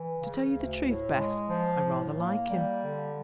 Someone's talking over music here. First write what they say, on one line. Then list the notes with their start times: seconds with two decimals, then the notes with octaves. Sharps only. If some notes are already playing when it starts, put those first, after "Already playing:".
To tell you the truth, Bess, I--rather like him.
Already playing: E3
0.16 C#3
0.49 D2
0.82 A2
1.15 G#3
1.48 F3
1.82 A2
2.15 A#3
2.48 G3
2.81 D3